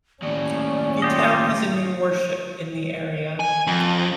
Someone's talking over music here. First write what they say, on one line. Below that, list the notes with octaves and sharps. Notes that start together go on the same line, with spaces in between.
The town has a new worship in the area.
D#2 A2 C#4 D5
F4 G4 D#5
G#5
F2